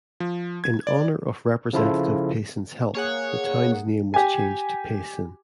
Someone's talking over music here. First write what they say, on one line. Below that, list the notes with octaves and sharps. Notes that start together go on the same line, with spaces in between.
In honor of Representative Payson's help, the town's name was changed to "Payson".
F3
G#6
D5
C#3 F3 E4 F4 A4
A#3 G#4 C#5 F#5
G4 G#5